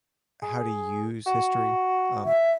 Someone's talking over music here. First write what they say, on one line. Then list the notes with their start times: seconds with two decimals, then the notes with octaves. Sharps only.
how to use history, um,
0.42 G#4
1.26 F#4
2.25 E5